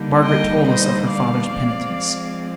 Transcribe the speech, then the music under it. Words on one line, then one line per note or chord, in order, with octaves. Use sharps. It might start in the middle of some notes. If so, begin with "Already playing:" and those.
Margaret told us of her father's penitence.
Already playing: D3 G3 A#3 D#4
D#5 G5
C5 D#5
D5 F5
F3 G#3 C4